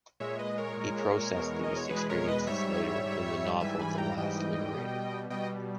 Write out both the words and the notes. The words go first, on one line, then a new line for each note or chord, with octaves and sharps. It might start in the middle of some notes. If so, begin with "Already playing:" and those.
He processed these experiences later, in the novel “The Last Liberator”.
A#2 G#3 C#5 E5
B4 D#5
A#4 C#5
A#2 G#3
E2 B2 G#3
D#5
C#5
E2 B2 G#3 G#4 B4
A#4 C#5
B4 D#5
G#2 G3 C#5 E5
G#2 G3
G#2 E3 G3 E5 G#5
G#5 B5
G5 A#5
G#2 E3 G3 D#5 G5
B2 G3
B2 G3 D#5 G5